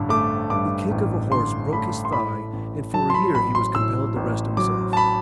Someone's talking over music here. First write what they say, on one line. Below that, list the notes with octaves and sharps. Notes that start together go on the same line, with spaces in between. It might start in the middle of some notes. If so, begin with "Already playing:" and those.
The kick of a horse broke his thigh, and for a year he was compelled to rest himself.
Already playing: A1 G2 D3
A3 D6
G2 D6
A1
D3 C6
A3 B5
C6
A2 B5
A1
F#3 A5
C6
B5
A1 B5
C6
A2 E6
A1
F#3 D6
A5
B5